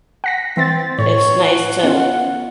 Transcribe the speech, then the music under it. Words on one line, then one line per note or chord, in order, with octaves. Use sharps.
It's nice to
F#5 A#6 B6
E3 C4 A6
A2 C#5
F#5
B3 C#4 F4